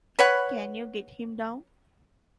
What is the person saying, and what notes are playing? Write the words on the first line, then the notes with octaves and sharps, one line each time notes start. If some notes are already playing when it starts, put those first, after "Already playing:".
Can you get him down?
B4 C#5 F#5